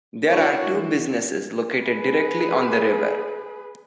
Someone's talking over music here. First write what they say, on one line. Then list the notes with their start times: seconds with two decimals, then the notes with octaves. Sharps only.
There are two businesses located directly on the river.
0.25 B3 D4 E4 F#4 A#4 C#5
0.70 E3
1.85 G#4 B4